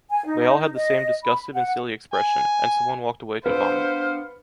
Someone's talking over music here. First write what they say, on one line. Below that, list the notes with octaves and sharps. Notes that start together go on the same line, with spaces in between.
They all had the same disgusted and silly expression, and someone walked away to vomit.
G#5
D#4
D#5
B5
F#5
G#5
B3 D4 B4 C5 F5 E6